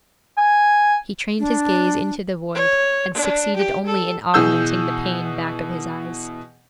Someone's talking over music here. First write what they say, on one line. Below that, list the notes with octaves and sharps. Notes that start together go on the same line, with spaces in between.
He trained his gaze into the void and succeeded only in augmenting the pain back of his eyes.
G#5
D4
C#5
D4
G4
A4
B2 E3 G#4 E6 G6